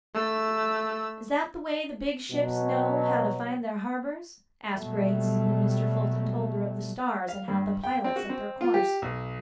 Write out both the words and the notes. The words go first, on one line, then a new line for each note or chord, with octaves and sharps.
"Is that the way the big ships know how to find their harbors?" asked Grace, when Mr. Fulton told her of the stars, and how the pilots set their course.
A3 E6
B2 F#3
B2 F#3 G3 A3
F5
G2
G5
C4
F#4
C4
F4
G4
B1